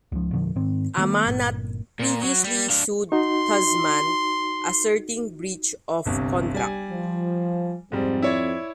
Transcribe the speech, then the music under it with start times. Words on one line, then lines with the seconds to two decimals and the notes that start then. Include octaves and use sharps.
Amanat previously sued Tuzman asserting breach of contract.
0.12 C#2 F3
0.32 E2 A#2 D3 F3
0.56 G#2 D#3 C4
0.97 D#3 G3 A3 B3
1.26 G1 A#2
1.99 A#2
2.22 F#3
2.44 G3
2.69 D4 F5
3.12 D#4 F#4 C6
6.06 G1 C2 C3
6.54 G3 G#5
6.91 F3
7.92 F2 G#2 G3 C4
8.22 E4 C#5 D5